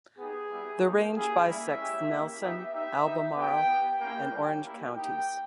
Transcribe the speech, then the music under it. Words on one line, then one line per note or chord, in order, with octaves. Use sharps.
The range bisects Nelson, Albemarle, and Orange counties.
B3 D#4 G4 G#4
G3 B3 E4 G4
A#3 D#4 G4
A#3 C#4 E4 G4 G#4
G3 A#3 E4 E5
G#3 C#4 E4 G4
A#3 C#4 E4 G4
B3 D#4 G4 E5
B3 D#4 G4 E5
B3 D#4 G4
B3 E4 G4 G5
B3 G4
A#3 C#4 E4 G4 G5
G3 C#4 G4
A#3 E4 G4
A#3 D#4 G4 G5